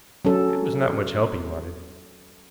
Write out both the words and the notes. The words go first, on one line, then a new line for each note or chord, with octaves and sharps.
It was not much help he wanted.
F#3 C#4 A4